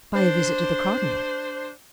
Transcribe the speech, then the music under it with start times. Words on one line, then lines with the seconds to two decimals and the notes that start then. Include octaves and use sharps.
"By a visit to the cardinal."
0.14 D4 C5